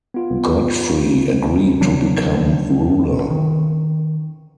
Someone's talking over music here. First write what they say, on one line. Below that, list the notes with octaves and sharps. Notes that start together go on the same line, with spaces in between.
Godfrey agreed to become ruler.
B3 F4
C#3 F3 F#3 D4
D#3